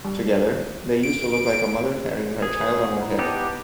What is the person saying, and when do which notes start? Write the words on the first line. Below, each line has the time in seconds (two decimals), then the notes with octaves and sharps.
Together, they used to look like a mother carrying her child on her hip.
0.05 G3
1.03 D7
2.42 G#4 B4
2.58 B4 C#5
2.82 F#5
3.00 E4 A#5 B5
3.19 B3 D#4 G4 B4 A5 D6